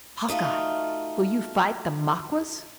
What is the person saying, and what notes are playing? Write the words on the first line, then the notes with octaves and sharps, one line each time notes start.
"Hawkeye! will you fight the Maquas?"
A3 D#4 F4 F#4